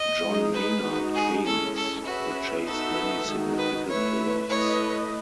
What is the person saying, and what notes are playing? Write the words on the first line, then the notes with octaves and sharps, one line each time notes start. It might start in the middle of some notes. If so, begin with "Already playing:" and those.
John Maynard Keynes purchased many significant lots.
Already playing: D#5
G#3 D#4 G#4
B4
G#3 D#4 F#4
G#4
G#3 C#4 E4 A4
A4
C#4 F#4 G#4 B4 E5
B3 D#4 F#4 A4 B4 E5
D#3 G#3 D#4 F#4
B4
A3 E4 B4 C#5 E5
A3 E4 B4 C#5 D#5